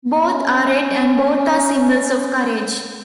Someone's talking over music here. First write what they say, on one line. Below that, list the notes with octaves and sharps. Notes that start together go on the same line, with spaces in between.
Both are Red and both are symbols of Courage.
C#4